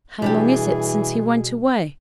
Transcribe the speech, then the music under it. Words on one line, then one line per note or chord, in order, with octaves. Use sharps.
'How long is it since he went away?'
B2 E3 G3 D4 G4 G#4